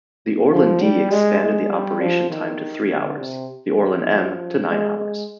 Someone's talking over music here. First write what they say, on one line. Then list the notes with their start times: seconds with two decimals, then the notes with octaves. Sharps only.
The Orlan-D expanded the operation time to three hours; the Orlan-M to nine hours.
0.52 F3
0.82 G3
1.12 G#3
1.41 G#3
1.71 G3
2.01 F3
2.30 D#3
2.91 D3
3.20 C3
3.79 D#3
4.09 F3
4.69 G#3
4.98 G#3